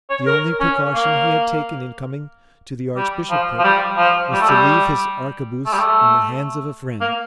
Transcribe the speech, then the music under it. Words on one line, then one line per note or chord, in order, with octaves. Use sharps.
The only precaution he had taken in coming to the archbishopric was to leave his arquebuse in the hands of a friend.
C#5
A#4
C#4
A#3
G3
F3
F3
G3
F3
G3
A3
G3
A3
G3
A3
A#3